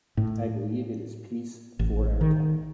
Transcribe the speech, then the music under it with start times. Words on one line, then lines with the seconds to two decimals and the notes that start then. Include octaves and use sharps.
I believe it is peace for our time.
0.17 A2
1.79 A1
2.21 D#3